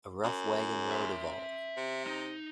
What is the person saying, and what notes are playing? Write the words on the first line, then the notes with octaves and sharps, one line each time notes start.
A rough wagon road evolved.
F#2
E5 C6
C3
D#4